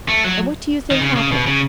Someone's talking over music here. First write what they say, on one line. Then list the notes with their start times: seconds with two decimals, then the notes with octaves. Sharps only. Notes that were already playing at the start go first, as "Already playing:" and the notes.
And what do you think happened?
0.09 A3
0.25 F#3
0.91 D#3
1.01 C#3
1.16 C#3
1.32 B2
1.47 C#3